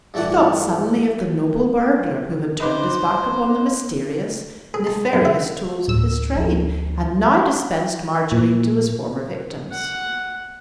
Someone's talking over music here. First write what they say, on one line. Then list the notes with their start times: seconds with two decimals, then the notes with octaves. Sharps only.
He thought suddenly of the noble burglar who had turned his back upon the mysterious, nefarious tools of his trade and now dispensed margarine to his former victims.
0.14 G2 E3 A3 D5 F#5
2.60 D#4 B4 C5 D6
4.74 G#4
4.87 A5
5.13 F#2
5.25 E5
5.88 D2 A2 E6
6.36 F3
8.32 A#2
9.71 F#5